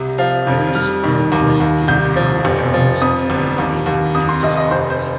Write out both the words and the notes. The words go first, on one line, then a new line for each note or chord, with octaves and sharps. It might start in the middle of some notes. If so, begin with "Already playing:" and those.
Prayers are addressed to the "Heavenly Parents" in the name of Jesus Christ.
Already playing: C2 C3
F3 F5
F2
G3 F6
D#3
D#2
D#2
C2 G6
F3
F1
F3
F2 D#6
G1
D#2
D#2
F2 D#6
C6
F1 D#5
D#5
F1 C5
C5